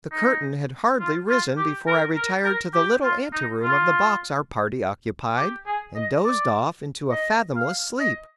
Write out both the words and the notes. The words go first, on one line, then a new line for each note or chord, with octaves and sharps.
The curtain had hardly risen before I retired to the little ante-room of the box our party occupied and dozed off into a fathomless sleep.
D#4
F4
F4
G4
A#4
A#4
A#4
G4
F4
D#4
F4
G4
G#4
D#5
D5
D#5
F5
D#5